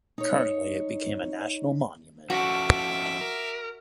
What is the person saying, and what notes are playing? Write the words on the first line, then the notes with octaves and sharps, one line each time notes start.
Currently it became a national monument.
D#4 C#5
F3 C#4 F#4 A4 E5 D6
A#4